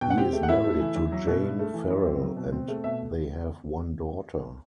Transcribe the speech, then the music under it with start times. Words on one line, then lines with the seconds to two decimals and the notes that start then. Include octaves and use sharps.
He is married to Jayne Farrell and they have one daughter.
0.01 B2 G5
0.10 F#5
0.17 C4 G4 G5
0.33 A3
0.43 F#5
0.49 A2 E4 E5
0.64 A3
0.80 E3
0.96 E2
1.12 F#3
1.27 B2
1.43 G2
1.59 A3
1.74 E3
1.90 F#2
2.06 C4
2.22 F#3
2.36 B2
2.52 C4
2.68 A3
2.84 B2 E5